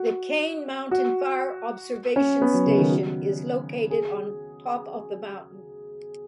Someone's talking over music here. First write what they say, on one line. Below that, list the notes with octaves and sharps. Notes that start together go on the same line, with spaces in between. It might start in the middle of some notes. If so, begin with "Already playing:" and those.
The Kane Mountain Fire Observation Station is located on top of the mountain.
Already playing: F#4
F#4
C#4
B3
F#3
C#3
D#3
F#4
G#4